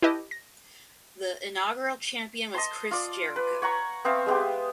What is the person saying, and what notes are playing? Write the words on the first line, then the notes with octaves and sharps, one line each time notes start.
The inaugural champion was Chris Jericho.
E4 G4 B4 D#5 A5
A#6
D#5 A5 C6
F4 D5
B4
C#5 F#5 A#5 C#6
B3 C4 E5 F5
G#3 B3 G4